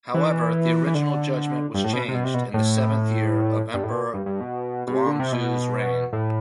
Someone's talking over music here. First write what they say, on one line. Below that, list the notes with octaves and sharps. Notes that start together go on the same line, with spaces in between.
However the original judgment was changed in the seventh year of Emperor Guangxu’s reign.
E3
E3
D3
G2
A2
B2
C3
B2
C3
B2
A2
G2
A2
B2
G2
G2
B2
B2
C3
D3
C3
B2
A2